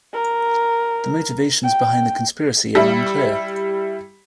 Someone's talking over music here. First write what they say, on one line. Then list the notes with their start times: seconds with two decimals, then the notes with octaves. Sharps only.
The motivations behind the conspiracy are unclear.
0.13 A#4
1.64 G5
2.75 G3 E4